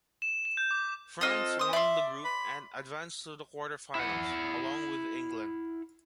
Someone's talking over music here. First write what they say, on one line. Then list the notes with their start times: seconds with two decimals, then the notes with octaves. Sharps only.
France won the group and advanced to the quarter-finals, along with England.
0.22 E7
0.45 E7
0.57 G6
0.71 D6
1.21 C4 F4 A4 D#5
1.59 C6 D#6
1.73 D5 E5 C6
2.25 B5
3.95 E4 F#5